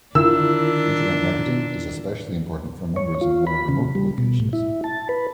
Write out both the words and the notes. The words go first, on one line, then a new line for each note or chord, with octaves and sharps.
Internet marketing is especially important for members in more remote locations.
D3 D#3 D4 E4 F4 A#4 E6
C#5
F4
B5
C#3
G3
B2
A2
E4
A5
B4